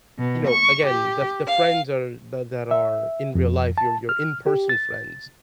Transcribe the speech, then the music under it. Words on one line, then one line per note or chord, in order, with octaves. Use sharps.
you know, again, the the friends are that that are in real life, your your in-person friends,
B2
C#6
G4
F5
E5
F2
A5
F6
G4
A6